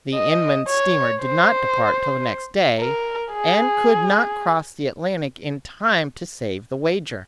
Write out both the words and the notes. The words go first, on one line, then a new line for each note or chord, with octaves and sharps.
The Inman steamer did not depart till the next day, and could not cross the Atlantic in time to save the wager.
D#5
C#5
C5
A#4
G#4